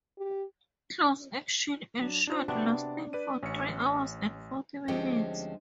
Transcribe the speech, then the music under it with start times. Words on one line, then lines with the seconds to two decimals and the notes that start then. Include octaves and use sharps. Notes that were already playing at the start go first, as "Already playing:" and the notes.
Close action ensued, lasting for three hours and forty minutes.
0.18 G4
2.01 F#3 D4
2.27 D4 F4 C5
2.48 C3 B3 D4 F#4 A5
3.13 B4 D5 D#7
3.43 A1 C#4 C#7
4.88 D2 F3 G#3 C4 C#4 G4